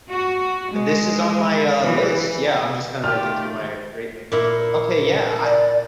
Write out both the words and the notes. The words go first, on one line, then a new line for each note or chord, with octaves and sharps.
This is on my, uh, list. Yeah, I'm just kinda looking through my rate my music li Okay, yeah, I
F#4
G#3
E3
D#3 A3 F4 G4 F6
A#2 E4
D5